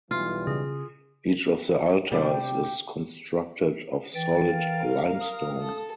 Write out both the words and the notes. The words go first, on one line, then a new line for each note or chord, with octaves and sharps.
Each of the altars is constructed of solid limestone.
B1 E3 G3 F4
C#3 G#4
C3 G3 D4 G4 G5
E3 G5 A6
A#4 F5
D#6
A4